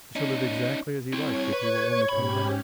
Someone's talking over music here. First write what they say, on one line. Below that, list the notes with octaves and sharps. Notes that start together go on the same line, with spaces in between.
He shall live exactly as he likes if he will only come back.
C#4 D#4
C4 E4 C#5 G#6
B4
G#2 C#4 G4 B5